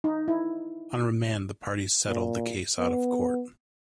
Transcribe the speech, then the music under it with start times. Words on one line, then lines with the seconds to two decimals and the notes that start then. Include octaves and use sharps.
On remand, the parties settled the case out of court.
0.04 D#4
0.28 E4
2.07 A#2
2.78 B3